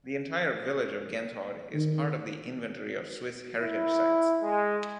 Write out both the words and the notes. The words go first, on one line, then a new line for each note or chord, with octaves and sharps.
The entire village of Genthod is part of the Inventory of Swiss Heritage Sites.
D#3
E4
G#3